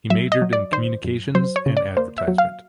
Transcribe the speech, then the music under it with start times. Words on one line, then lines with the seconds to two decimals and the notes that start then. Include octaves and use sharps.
He majored in communications and advertisement.
0.10 F#3 E5
0.32 D#5
0.42 F#3
0.53 D5
0.72 D#3 C5
1.04 F#2
1.35 F#3 C5
1.56 C#5
1.66 C#3
1.77 D5
1.97 A#3 C5
2.18 E5
2.28 F#3
2.38 F5